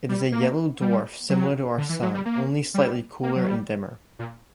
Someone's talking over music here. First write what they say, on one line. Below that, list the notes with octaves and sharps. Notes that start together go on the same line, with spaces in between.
It is a yellow dwarf similar to our Sun, only slightly cooler and dimmer.
G3
A#3
G3
F#3
D3
E3
F#3
G3
A#3
G3
A#3
F#3
G3
A#2